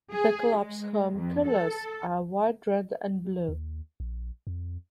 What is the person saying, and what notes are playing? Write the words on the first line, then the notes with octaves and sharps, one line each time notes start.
The club's home colours are white, red and blue.
G#4
G#3
F2
A4
D#2
A#1
F2